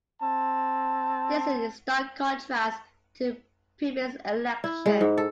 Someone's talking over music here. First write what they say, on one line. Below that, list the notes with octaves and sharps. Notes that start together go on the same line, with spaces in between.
This is in stark contrast to previous elections.
C4 A5
E4
G#3
G#2
A4